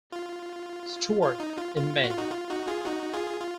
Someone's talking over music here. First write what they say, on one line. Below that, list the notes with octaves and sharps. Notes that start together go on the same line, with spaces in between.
Stuart in May.
F4
F4
D#4
F4
F4
F#4
F4
D#4 F#4
F4
D#4 F#4
F4 G#4
D#4 F#4
F4 G#4
F4